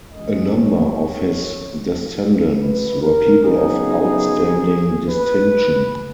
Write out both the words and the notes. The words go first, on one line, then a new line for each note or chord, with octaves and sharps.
A number of his descendants were people of outstanding distinction.
C#3 E3 G#3 C#4 D#5
C#5
B4
A#4
C#3 F#3 B3 D#4 G#4
B4